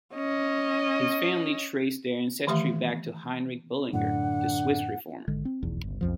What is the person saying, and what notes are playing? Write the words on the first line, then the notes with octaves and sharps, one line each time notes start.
His family traced their ancestry back to Heinrich Bullinger, the Swiss Reformer.
C#4 D#5
D#3 E3 A3 G4 E5
F#2 A2 D3 F#5
G#1 D3 G#3
C4
F1 B1 E2
G1 C#2
B1 F2 F3